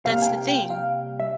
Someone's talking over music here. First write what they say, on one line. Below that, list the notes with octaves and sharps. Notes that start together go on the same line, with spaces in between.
that's the thing.
C3 G3 A#3 F5
G#5
G5
G5
F5
E5